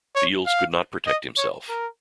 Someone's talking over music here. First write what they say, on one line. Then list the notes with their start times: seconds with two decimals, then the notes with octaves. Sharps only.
Fields could not protect himself.
0.15 C#5
0.46 F5
1.07 D#5
1.37 C#5
1.69 A#4